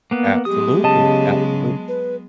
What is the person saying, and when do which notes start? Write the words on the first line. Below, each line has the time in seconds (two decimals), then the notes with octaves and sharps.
Absolutely, absolute
0.11 A#3 B3
0.45 F#3 G#3 B3 G4 D#6
0.84 C#3 D#5 A5
1.88 B4